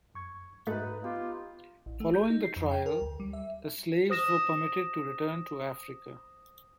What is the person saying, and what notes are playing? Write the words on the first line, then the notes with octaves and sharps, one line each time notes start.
Following the trial, the slaves were permitted to return to Africa.
F#2 C#6 G#6
G#2 A3 D#4 F#4 B4 F#6
B3 F4 G4
A1
A3
G6
D#4
C7
F2
G5
A#4
D2
G3
E5
C5 D#6 A#6 E7